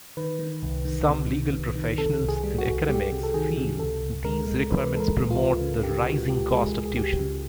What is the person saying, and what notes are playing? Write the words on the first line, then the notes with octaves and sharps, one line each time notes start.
Some legal professionals and academics feel these requirements promote the rising cost of tuition.
D#3 B4
D#3
C2
D#3
C3
D#3
C3
D#3
C3 A4
C2
G#4
G3
F#4
C2
G3 G4
C3
A4
D#3 G#4
C3
C#2 A4
C#2
G#3 A#4
G#3
E3 B4
G#3 A4
A#4
C#2
F4
C#2
C#3
C#3 G4
C#3 F#4
C#2 G4
G#3 G#4
C#2
G#4
C#2 G4
C#3